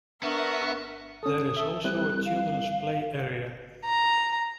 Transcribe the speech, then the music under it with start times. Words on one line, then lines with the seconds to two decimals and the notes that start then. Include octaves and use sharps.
There is also a children's play area.
0.23 B3 D4 A#4 E5 C#6
1.23 C#4 A4 D#6
1.57 A4 E5
1.84 G3 C4 E4 F#6
2.25 F5
3.85 A#5